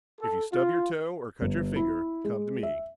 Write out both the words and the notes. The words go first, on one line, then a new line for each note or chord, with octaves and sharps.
If you stub your toe or cut your finger, come to me.
A4
F4
G1
E4
G#3
E5